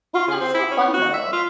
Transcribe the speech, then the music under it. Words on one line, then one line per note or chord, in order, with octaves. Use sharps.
That's so fun, though.
F4
C#3
C4
E4
C#4
F#4
E5
F4